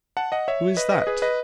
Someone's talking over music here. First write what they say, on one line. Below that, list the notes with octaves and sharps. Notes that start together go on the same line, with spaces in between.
Who is that?
F#5 A5
D#5 F#5
C#5 E5
B4 D#5
B4 D#5
G#4 B4
B4 D#5